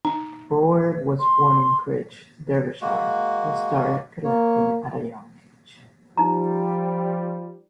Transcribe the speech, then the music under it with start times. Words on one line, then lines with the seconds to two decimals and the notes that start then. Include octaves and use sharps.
Bower was born in Crich, Derbyshire and started collecting at a young age.
0.05 D#4
1.20 C6
2.81 G#3 A#3 F#4
4.24 A#3 C#5
6.17 F3 G3 D#4 A#5